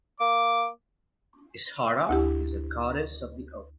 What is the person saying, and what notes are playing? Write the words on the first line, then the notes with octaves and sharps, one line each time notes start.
Ishara is a Goddess of the oath.
A#3 D6
D2 E4 G4